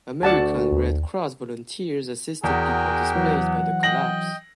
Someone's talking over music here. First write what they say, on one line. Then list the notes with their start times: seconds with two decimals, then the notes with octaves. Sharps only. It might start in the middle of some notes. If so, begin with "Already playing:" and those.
American Red Cross volunteers assisted people displaced by the collapse.
0.23 D2 F#4 D5 F#5 A5
0.72 D#2
2.44 E2 F#4 G#4 A#4 G5
3.15 E3 F#3 F#5
3.83 D#5 G5 A#6 F#7